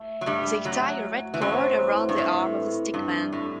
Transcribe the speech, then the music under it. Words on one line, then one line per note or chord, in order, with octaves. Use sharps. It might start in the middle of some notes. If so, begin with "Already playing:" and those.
They tie a red cord around the arm of the sick man.
Already playing: A3
F#3
G2 G3 A3
F#2 F#3 F#4
F#4
E3
F#2 F#3 C4
E3
G2
A2 E3
E3
G2 G3
A2 D3